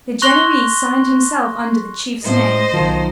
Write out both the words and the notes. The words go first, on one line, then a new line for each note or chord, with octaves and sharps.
The Genoese signed himself under the chief's name.
C6 C#6 F#6 A#6 F7 G7
A2 C#4 C5 D#5
B1 D#3 F3